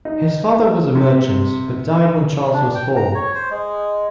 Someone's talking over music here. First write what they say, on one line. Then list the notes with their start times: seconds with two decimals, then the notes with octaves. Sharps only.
His father was a merchant but died when Charles was four.
0.05 D#4
0.95 C3
2.53 D4
2.75 G5
2.96 A#5
3.15 C#5
3.35 C5
3.50 G#3